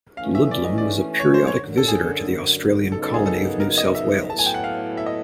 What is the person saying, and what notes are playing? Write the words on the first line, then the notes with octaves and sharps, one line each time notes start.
Ludlam was a periodic visitor to the Australian colony of New South Wales.
E3 A3 C#4 F5
E5
D5
D#5
D5
C#5
C5
C#5
F#2 D3 F#3
A4
G#4
F#2 C#3 F#3 B3 D#4 A4
A4
G#4
A4
A#4
D#5
E5
A2 F#3 B3 E4 A4 A5
G#5
G5
F#5
F5
E5
D#5